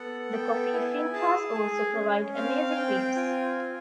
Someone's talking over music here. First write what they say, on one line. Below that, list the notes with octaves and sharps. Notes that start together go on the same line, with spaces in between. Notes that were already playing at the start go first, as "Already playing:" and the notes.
The coffee "Fincas" also provide amazing views.
Already playing: B3 A4 F#5
B3 G5
E4 G#5
G#4 A5
G#4 G#5
C#4
C4 F5
G#5
C4 G5
F4 G#5
F4